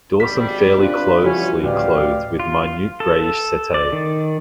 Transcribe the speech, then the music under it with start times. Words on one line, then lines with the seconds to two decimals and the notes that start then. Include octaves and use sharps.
Dorsum fairly closely clothed with minute greyish setae.
0.20 G#1 G3 B6
0.78 C3 D4 F4 B4
1.23 E3 F3 G3 C#4 F#4 C#5
1.63 A1 D2 G4 D5 F5
2.40 F4
3.00 A4
3.74 D5
3.93 D#3